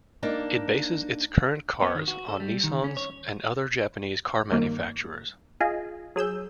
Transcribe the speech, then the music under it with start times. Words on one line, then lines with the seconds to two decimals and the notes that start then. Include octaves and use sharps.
It bases its current cars on Nissans and other Japanese car manufacturers.
0.23 A#3 D4 D#4
1.82 B3
1.95 D#3
2.08 F#4
2.29 A4
2.40 G3
2.64 D#3
2.84 C#4
2.97 C#5
4.51 G2 D#3 A#3
5.60 F4 G#4 D#5 G#5
6.16 F#3 G#4 E6 G6